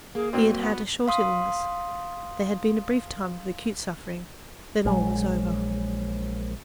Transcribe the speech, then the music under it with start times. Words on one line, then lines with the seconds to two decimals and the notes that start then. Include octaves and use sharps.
He had had a short illness, there had been a brief time of acute suffering, then all was over.
0.15 A#3 G#4
0.33 A#2 C4 F#4
0.63 B3
1.08 F5 C6 D#6
4.85 A#1 F#3 G#3